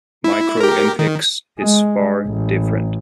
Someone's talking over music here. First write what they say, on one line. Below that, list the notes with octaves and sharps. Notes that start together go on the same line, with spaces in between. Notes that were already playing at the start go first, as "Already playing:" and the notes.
MicroEmpix is far different.
E4
G4 A#4
D#3
G#3
A1